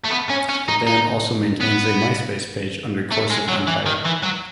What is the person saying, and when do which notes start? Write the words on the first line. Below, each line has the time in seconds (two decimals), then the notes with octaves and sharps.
The band also maintains a Myspace page under "Course of Empire".
0.05 A3
0.11 B3
0.30 C#4
0.49 C#4
0.68 D#4
0.87 D#4
1.61 B3
3.11 A3
3.30 G#3
3.48 F#3
3.67 E3
3.86 D#3
4.05 E3
4.24 F#3